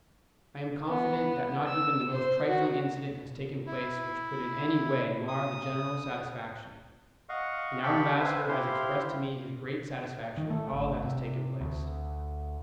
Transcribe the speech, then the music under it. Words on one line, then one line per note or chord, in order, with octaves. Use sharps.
I am confident that not even the most trifling incident has taken place which could in any way mar the general satisfaction, and our Ambassador has expressed to me his great satisfaction with all that has taken place.
B3
E6
C5
F#4
E4
D#6
D#5 F5 F#5 C#6
G4 F5 G5 A5 B5 C#6
B4 C5 E5 F5 G#5
E4 G4 C5 F5 C6
D#3
A3
G#1
C3
D2